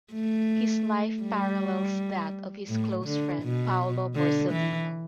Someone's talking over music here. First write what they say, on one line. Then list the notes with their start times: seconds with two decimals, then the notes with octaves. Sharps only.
His life parallels that of his close friend Paolo Borsellino.
0.13 A3
1.23 G3
2.69 A2
3.06 D3
3.43 B2
4.15 D3
4.52 E3